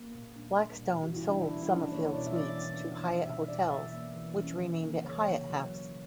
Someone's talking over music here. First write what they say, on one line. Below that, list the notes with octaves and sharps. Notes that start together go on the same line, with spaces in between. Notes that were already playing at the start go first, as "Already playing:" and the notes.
Blackstone sold Summerfield Suites to Hyatt Hotels, which renamed it Hyatt House.
Already playing: A#3
A#2
G3 D4
G3
B2
E3 F#4
E4
G3 D4
E4
E3
D4
C#4 E4
A#3 C#5
B2 D5
E5
E3 D5
D4
D4
D4 E5
B2 E5
B2 D5
E3 E5
A#3
E3
C#4
E3
A#3
C#3 C#5
A#3
F#3
C#3